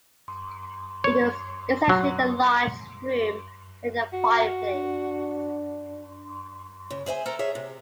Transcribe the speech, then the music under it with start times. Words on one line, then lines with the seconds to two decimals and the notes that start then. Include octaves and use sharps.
It was essentially a large room with a fireplace.
1.04 C#5
1.89 F#3
4.13 F#4
4.73 D4
6.90 C#3
7.06 G#4 C5 E5 G#5
7.26 A4 A#4 C5 A#5
7.39 G#4 C#5 E5
7.55 C3